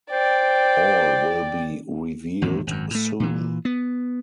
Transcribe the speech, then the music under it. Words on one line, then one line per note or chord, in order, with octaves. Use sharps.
All will be revealed soon.
C5 D5 G5
G#1 E2 A2
G#1 F#2
A2 A3
A#2 E3
B3